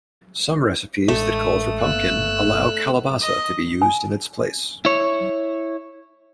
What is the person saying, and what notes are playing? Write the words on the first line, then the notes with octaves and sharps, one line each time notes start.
Some recipes that call for pumpkin allow calabaza to be used in its place.
A1 G#3 A3 D4 A5 D#6
G1 A#3 B3 E6 F#6
D#5
G#5
E4 C#5